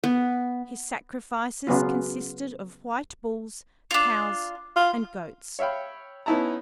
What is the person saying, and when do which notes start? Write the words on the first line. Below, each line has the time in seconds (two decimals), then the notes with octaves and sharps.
His sacrifices consisted of white bulls, cows, and goats.
0.04 B3
1.67 C#3 F#3 B3 F4
3.91 D4 F4
4.76 F4
5.59 C#5 E5 F5 G5 B5
6.26 B3 C#4 D#4 E4 A5 A#5